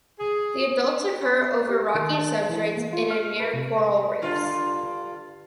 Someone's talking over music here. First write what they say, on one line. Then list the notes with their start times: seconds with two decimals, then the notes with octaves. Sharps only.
The adults occur over rocky substrates and in near coral reefs.
0.17 G#4
1.69 G4
1.95 D#3
2.13 A5
2.50 E3
2.77 A#3
2.93 F4
3.11 F6
3.40 B4
3.54 C3
3.77 D#5
4.22 G2 D3 F4